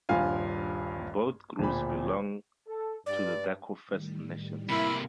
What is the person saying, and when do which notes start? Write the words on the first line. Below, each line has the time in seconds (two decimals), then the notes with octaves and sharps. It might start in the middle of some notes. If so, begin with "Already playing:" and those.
Both groups belong to the Dehcho First Nations.
0.09 D#1 A#1 G2 F4 F5 G#5
1.59 D1 A#2 B5
2.67 A4
3.06 G2 D5
3.87 A2 D#3 G3
4.69 C3 A#3 E4 B5